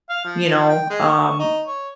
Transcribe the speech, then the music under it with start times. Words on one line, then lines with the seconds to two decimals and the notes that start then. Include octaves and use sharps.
you know, um,
0.09 F5
0.25 F3
0.69 G5
0.90 G#3
1.08 C#6
1.39 D#4
1.67 C#5